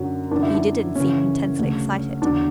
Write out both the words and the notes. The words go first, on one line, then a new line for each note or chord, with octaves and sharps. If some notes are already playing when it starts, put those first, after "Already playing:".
He didn't seem intensely excited.
Already playing: F#2 D3 F#3
F#2 D3 F#3 D4
E4
D4
F#2 C#3 E3 C#4
D2 C#3 F#3
E2 D3 F#3 D4